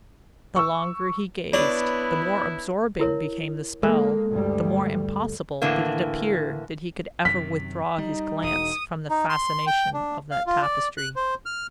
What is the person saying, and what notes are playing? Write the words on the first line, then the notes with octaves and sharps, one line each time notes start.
The longer he gazed the more absorbing became the spell--the more impossible did it appear that he could ever withdraw his glance from the fascination of that tapestry.
C#6 E6
B3 D4 E4 C#5
E4 A#4 C#5
G#3 A#3 A4
D2 G2 G3
A2 D3 E3 A#3
F#2 C3 D#3 B6
G3 D#4
E1 D#6
D#4
C6
G5
D4
F5
F4
D5
F#6
C5
F6